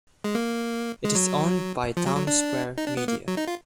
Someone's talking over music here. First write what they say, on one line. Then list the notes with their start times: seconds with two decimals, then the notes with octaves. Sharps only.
It is owned by Townsquare Media.
0.24 G#3
0.35 A#3
1.05 G#3
1.15 F#3
1.97 F3
2.06 F#3
2.17 F#3
2.27 D4
2.78 D#4
2.87 D4
2.97 B3
3.08 A#3
3.28 F#3
3.37 D#4
3.48 F4